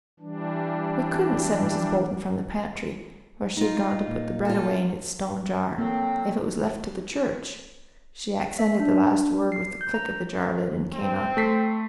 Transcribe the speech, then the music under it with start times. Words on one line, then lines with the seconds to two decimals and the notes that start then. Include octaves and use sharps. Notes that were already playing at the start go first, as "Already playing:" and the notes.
"We couldn't," said Mrs. Bolton from the pantry, where she had gone to put the bread away in its stone jar, "if it was left to the church." She accented the last word with the click of the jar lid, and came out.
0.20 E3 G3 D4
3.57 G#3 D#4 F4
4.07 A#2
4.45 F4 A4
5.78 A2 F#3 A#3 C4
8.59 E5
8.80 D4
9.52 C7
9.81 G6
9.94 A#5
10.91 C4
11.37 A3 B6 C7